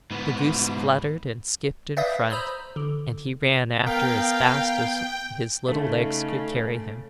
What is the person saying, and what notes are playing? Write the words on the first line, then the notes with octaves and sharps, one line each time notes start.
The goose fluttered and skipped in front, and he ran after as fast as his little legs could carry him.
G#2 B3
B4 D5 E5 F5 D#6 G6
C5 A#5 B5 D#6 E6
D3
B3 A#4 F5 G5
C#3 A3 D#4